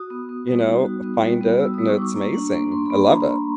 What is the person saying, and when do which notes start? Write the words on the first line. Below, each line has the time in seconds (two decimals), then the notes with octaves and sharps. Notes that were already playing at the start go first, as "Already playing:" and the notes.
you know, find it, and it's amazing. I love it.
Already playing: F#4 D#6
0.10 B3
0.29 B3
0.47 G3
0.66 D#4
0.85 F#4
1.04 B3
1.22 G3
1.41 B3
1.60 F#4 E6
1.74 G3 D#6
1.88 C#6
1.97 D#4 D6
2.02 C#6
2.16 A#3
2.34 D4
2.53 A#3
2.72 A#3 C6
2.86 A#3 B5
3.00 A#5